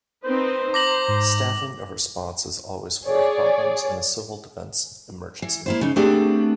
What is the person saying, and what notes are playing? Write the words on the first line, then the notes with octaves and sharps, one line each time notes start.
Staffing a response is always full of problems in a civil defense emergency.
C4 D#4 B4 C5
A#5 D6 A#6 F#7
G#2
G#4 C#5 D5
E3
A#3 E4 C5
C#3 D#4
A3 B3 C4 D4 G4 G#4